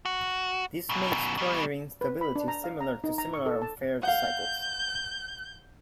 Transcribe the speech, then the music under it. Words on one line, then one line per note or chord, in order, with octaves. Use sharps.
This makes cornering stability similar to similar unfaired cycles.
F#4
F#2 B2
B2 G3
B4
B5
D4
A#5
F5
A#5
D#4
A#5
C#6
A4
A5
F5 F#5 G6